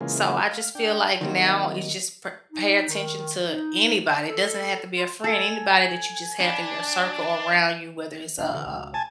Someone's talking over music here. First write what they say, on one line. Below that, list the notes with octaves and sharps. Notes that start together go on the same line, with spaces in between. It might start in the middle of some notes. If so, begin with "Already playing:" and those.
So, I just feel like now it's just pa pay attention to anybody. It doesn't have to be a friend. Anybody that you just have in your circle around you, whether it's a a
C#3 E3 G#3 A#3 F4
F5
D4 G5
D#3 F#3 G3 A#3 C4 D#4
D#4
D#3
D#4
A4
F4
A4 G#5
D4 B5
D1 D4
B2 D3 E3
C#2 B2
G#5 A5